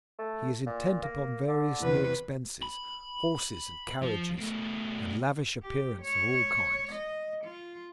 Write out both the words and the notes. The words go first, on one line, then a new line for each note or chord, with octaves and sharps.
He is intent upon various new expenses,--horses, and carriages, and lavish appearances of all kinds.
A3
A#2
A#3
D3
E2 C3 B4
B5
F3 F4
B2 A3
G4
C#5
D#5
F4